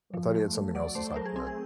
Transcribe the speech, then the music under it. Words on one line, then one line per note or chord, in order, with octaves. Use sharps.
I thought he had something else aside from that.
F3
A3
A3
F#3 D5
A3 C5
A3 A#4
G#4
C4 G#4
G#4